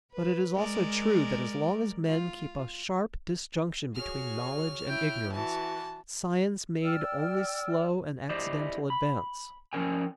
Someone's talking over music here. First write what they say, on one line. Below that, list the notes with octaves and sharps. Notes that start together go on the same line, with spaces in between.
But it is also true that as long as men kept a sharp disjunction between knowledge and ignorance, science made only slow and accidental advance.
B4
G#3 A#4 D5
F4
F#4 G#4 C#5 F6
E4 G5
E3 F#4 A5
D5 G5 E6 F6
E4 G4 C5 D5 D#5
B5
F3 C#4 A#4 G5 G#5